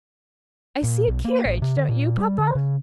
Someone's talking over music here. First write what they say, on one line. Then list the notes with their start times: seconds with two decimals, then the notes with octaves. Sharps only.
"I see a carriage; don't you, papa?"
0.83 A#2
1.08 B1
1.25 A#3
1.45 A1
1.62 C3
1.76 D3
1.89 A#2
2.18 G3
2.38 D3
2.55 C#3